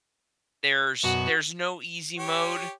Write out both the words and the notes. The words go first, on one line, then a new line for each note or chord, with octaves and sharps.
There's there's no easy mode.
F#2 B2 F#4
G4 C#5